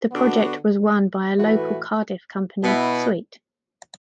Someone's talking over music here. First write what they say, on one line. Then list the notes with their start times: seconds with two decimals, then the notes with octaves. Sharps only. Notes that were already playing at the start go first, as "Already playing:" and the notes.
The project was won by a local Cardiff company, Sweet.
0.11 D3 B3 D4 F#4
1.37 A2 E3 A3 F#4 B4
2.61 B2 B3 E4